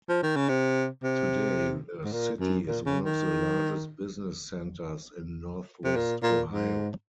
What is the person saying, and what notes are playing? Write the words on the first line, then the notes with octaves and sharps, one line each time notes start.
Today the city is one of the largest business centers in Northwest Ohio.
F3
D#3
C#3
C3
C3
G#2
A#2
F#2
A#2
C#3
D#3
C3
A#2
A#2
G#2